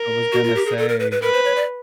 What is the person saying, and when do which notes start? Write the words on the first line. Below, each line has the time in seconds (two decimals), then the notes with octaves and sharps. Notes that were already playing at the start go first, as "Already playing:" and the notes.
I was gonna say
Already playing: A#4
0.33 F#4
0.44 F4
0.55 G4
0.66 G#4
0.78 A4
0.89 A#4
1.00 B4
1.11 B4
1.22 A#4 B4
1.33 C5
1.45 C#5
1.56 D5